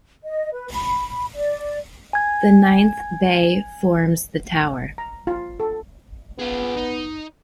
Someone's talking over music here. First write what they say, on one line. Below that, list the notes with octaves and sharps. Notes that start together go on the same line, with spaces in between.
The ninth bay forms the tower.
D#5
B4
B5
D5
G#5 G#6
A#5
F4
A4
B3 F4 G#4
D#4